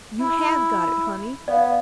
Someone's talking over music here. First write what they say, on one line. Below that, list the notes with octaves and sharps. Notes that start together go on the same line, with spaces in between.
You have got it, honey!
E4
B3 D5 F5